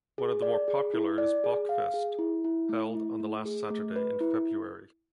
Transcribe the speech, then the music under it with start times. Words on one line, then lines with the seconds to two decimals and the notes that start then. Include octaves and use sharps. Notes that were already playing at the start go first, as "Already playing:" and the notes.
One of the more popular is Bockfest, held on the last Saturday in February.
0.18 G#4
0.42 D5
0.68 G#4
0.94 E4
1.18 D5
1.44 G#4
1.69 F5
1.94 G#4
2.19 E4
2.44 E4
2.69 A3
2.95 E4
3.20 A3
3.45 G#4
3.70 A3
3.96 B4
4.20 E4